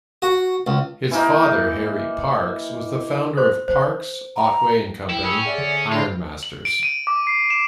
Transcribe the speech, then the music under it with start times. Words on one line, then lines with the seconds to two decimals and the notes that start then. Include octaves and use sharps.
His father, Harry Parkes, was the founder of Parkes, Otway and Company, ironmasters.
0.22 F#4
0.67 C#2
1.11 E3 A#3 D#4
3.37 C5 C6
3.68 C5
4.36 A#5
5.10 E4 G5
5.23 C#4 B5 D#6 E6
5.44 G#4 D5 E5 F#5
5.58 D3 G#4
5.92 D4 F4 B5 C6
6.43 F#7
6.65 D7
6.83 D#7
7.07 D6
7.27 C7
7.50 E7